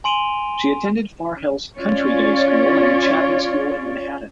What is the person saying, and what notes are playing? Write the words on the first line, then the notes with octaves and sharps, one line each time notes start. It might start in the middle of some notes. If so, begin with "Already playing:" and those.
She attended Far Hills Country Day School and the Chapin School in Manhattan.
G#5 C6 D7 D#7 F7 G7
C#4 F4 C#5 D5